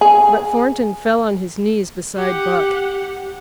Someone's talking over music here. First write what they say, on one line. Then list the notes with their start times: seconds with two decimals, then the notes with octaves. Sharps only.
But Thornton fell on his knees beside Buck.
0.01 G#4
2.16 G4 F#5